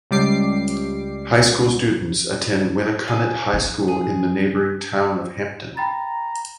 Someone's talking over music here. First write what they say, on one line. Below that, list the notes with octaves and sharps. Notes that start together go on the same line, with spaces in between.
High school students attend Winnacunnet High School in the neighboring town of Hampton.
C#2 G3 D6 C7
F5 G#5
F3
G#4
G5 A#5 B5 A6